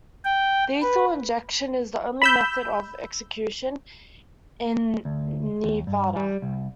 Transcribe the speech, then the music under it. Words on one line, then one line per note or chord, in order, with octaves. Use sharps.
Lethal injection is the only method of execution in Nevada.
G5
B4
B5 E6 G6
D2
D#2
G2
G3
C2